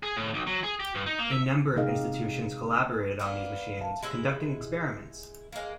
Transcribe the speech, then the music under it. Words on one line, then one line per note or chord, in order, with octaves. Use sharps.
A number of institutions collaborated on these machines, conducting experiments.
G#4
A2
B1
F#3
G#4
G4
G2
D#4
A#3
E5
C3 G#3 D#4 G4 D#5 F5
A#3 B3 D5
E5 F5 A5
G#3 E4 G4 E5
G#3 A#3